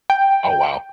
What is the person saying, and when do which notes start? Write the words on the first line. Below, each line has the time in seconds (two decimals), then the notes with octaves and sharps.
Oh, wow.
0.10 G5